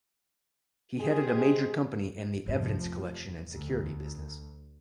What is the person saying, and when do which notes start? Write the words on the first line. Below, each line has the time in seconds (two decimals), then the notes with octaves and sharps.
He headed a major company in the evidence-collection and security business.
1.00 G#3 C4 G4 G#4
2.46 F1 C2 G#2 F3
2.85 E2
3.51 D2